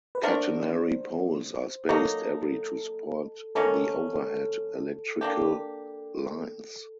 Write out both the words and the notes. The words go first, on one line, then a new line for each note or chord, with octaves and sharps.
Catenary poles are spaced every to support the overhead electrical lines.
B4
A3 D4 F#4 A#4 C5
F#3 A#3 D#4 A4
D#3 F#3 A#3 C#4 A4
A#3 D4 G4